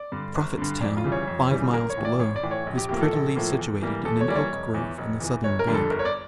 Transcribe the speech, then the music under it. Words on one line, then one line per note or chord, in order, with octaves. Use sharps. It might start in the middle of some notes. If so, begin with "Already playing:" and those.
Prophetstown, five miles below, is prettily situated in an oak grove on the southern bank.
Already playing: D5
G2 D3
G1
G2 D3
F2 D5
F4
C#3 E3 G3
C#5
F2
C#3 E3 G3
A1 A#4
C#5
A2 E3
D5
A1 C#5
D5
A2 E3
C#5
A#1
G4
A2 F3 A#3 G4
A4
A#1
A2 F3 A#3
E2
E3 G3 A#3
E2 A4
C#5
E3 G3 A#3 D5
C#5
F1
E2 E3
F1
E2 E3
G1 C#5
A#4
F2 D3 G3
A4
G1 A#4
C#5
D5